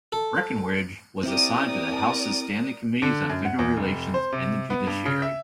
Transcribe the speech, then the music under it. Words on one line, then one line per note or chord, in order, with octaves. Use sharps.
Breckinridge was assigned to the House's standing committees on Federal Relations and the Judiciary.
A4
C4 E4 G4 A#4 D5 D#6
D3
F#2
F#5
E2
F1
C5
C3
B3
G2
C#3
E5